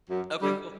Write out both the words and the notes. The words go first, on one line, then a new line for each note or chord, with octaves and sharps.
Okay. Cool.
F#2
D3 G3